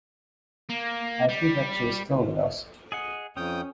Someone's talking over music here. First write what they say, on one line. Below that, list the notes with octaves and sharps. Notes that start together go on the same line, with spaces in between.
I see that she is still with us.
A#3
G3
G#4 D#5 F#5
F2 C#4 G5 D#6